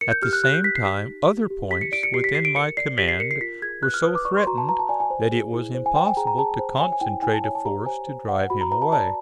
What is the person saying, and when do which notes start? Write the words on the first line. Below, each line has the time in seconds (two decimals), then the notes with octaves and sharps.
At the same time other points within my command were so threatened that it was impossible to concentrate a force to drive him away.
0.01 A#4 C#7
0.11 G6
0.22 G4 F6
0.33 F#6
0.44 G4 F#6
0.54 G6
0.64 G4 B6
0.75 C7
0.85 G4 B6
1.07 D#4
1.29 G4
1.50 G4
1.70 G4 B6
1.81 C#7
1.92 D5 D7
2.03 C#7
2.14 G4 C7
2.24 B6
2.34 G4 C7
2.45 D7
2.56 A#4 C#7
2.77 D5 C7
2.98 G4 B6
3.08 C7
3.20 A#4 C#7
3.31 C7
3.41 F4 B6
3.62 G#4 G#6
3.83 B4 F#6
3.94 F6
4.04 B4 D#6
4.15 D6
4.25 D5 C#6
4.37 C6
4.47 F#4 A#5
4.58 A5
4.69 B4 A#5
4.79 A5
4.89 D5 G#5
5.00 G#5
5.10 C5
5.32 G#4
5.53 E4
5.75 C5
5.86 G#5
5.96 C5 G5
6.06 G#5
6.17 G#4 A#5
6.27 A#5
6.38 G#4 A5
6.59 C5
6.80 C#5 G#5
6.92 G#5
7.01 E4 G5
7.22 E4 G#5
7.33 A5
7.44 C#5 G#5
7.55 A5
7.65 G4 A#5
7.86 C5 G#5
8.07 C5
8.28 C5 F#5
8.50 F#4 B5
8.61 A#5
8.72 B4 A#5
8.82 A5
8.92 D5 A5